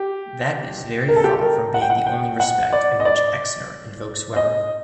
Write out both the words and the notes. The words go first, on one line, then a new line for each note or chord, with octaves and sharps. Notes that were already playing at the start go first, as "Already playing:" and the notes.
That is very far from being the only respect in which Exner invokes Weber.
Already playing: G4
A#4
A4
G4
A4
A#4
F#5
G5
F#5
G5
F#5
D5
D#5
D5
D#5